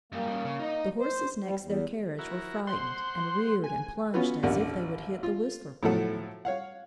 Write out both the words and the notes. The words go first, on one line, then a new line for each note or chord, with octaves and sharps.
The horses next their carriage were frightened, and reared and plunged as if they would hit the Whistler party.
F#2 G3 A#3
G3 C#4
C#3
D#4 D#5
C5
G3
E2
E4 F#4 A#4
C5 F#5 C6
G#5
B3 C#4 F4 F#4 B4
A1 D#2 D4 A#4 F#5
F4
A2 F3 F#3 A4 F#5
C#5 F5 F#5